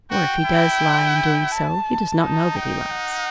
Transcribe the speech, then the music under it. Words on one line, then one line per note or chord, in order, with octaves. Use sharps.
Or, if he does lie in doing so, he does not know that he lies.
F#4 G5
E4
A5
D#4 A5
G5
F#5